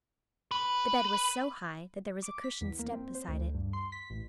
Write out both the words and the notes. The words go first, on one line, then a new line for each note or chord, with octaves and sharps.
The bed was so high that there was a cushioned step beside it.
B4
D6
B6
E2
A#3
C4
C5
D2
G2
C6
B6
A1